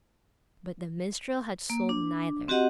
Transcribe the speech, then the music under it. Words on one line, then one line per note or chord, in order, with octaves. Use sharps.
But the minstrel had sold neither.
A#3
D4
C4 F#4 G4 D#5 F#5